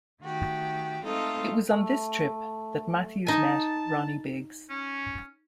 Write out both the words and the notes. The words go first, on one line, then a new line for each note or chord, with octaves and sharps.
It was on this trip that Matthews met Ronnie Biggs.
D#3 A3 F#4 G4
G#3 A3 C4 D#4 F4 A4
A3
D#4 G#5 A5
C#4